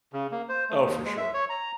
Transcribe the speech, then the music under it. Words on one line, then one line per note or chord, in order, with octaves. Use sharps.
Oh, for sure.
C#3
A#3
C5
A3
D#2
G#3
E5
C#5
A#5